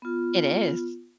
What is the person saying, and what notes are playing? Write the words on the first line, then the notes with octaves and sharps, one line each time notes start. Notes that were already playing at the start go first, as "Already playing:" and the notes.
It is.
B3 F4